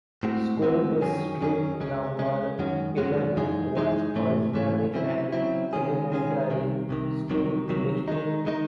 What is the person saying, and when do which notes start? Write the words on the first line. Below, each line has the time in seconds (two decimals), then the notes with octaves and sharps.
School District Number Eleven was originally an elementary school district.
0.23 A2 G#3 C4 F#4
0.62 A2 G#3 C4 F#4
1.01 F#2 D#3 F#3 C#4 G#4
1.41 F#2 D#3 F#3 C#4 G#4
1.80 C#2 C#3 G#3 C#4
2.19 C#2 C#3 G#3 C#4
2.58 F#2 D#3 G#3 C#4 F#4
2.98 F#2 D#3 G#3 C#4 F#4
3.36 F#2 E3 G#3 D#4 G#4
3.76 F#2 E3 G#3 D#4 G#4
4.15 G#2 E3 A3 C#4
4.54 G#2 E3 A3 C#4
4.94 C#3 F#3 C4 E4
5.33 C#3 F#3 C4 E4
5.73 D#3 G#3 C#4 G#4
6.12 D#3 G#3 C#4 G#4
6.50 C2 C3 D#3
6.89 C2 C3 D#3
7.30 C2 C3 D#3 F#3
7.68 C2 C3 D#3 F#3
8.08 D#3 G#3 D#4
8.47 D#3 G#3 D#4